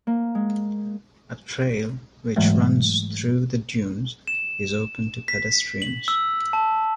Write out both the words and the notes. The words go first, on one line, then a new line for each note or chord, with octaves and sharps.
A trail, which runs through the dunes, is open to pedestrians.
A#3
G#3
G#2 E3 F#3 G#3 A3
E7
B6
F#7
E6
A5